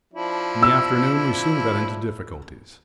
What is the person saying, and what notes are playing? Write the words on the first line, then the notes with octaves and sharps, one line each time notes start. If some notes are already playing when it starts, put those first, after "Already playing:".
In the afternoon we soon got into difficulties.
F3 D4 E4
E6